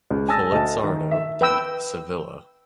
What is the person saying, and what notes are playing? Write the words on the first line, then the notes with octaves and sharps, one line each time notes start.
Felizardo D. Sevilla.
C#2
G#5 A5 D#6 E6 A6 A#6
D2 D#5 A5
D#3
E5
B4 G5 E6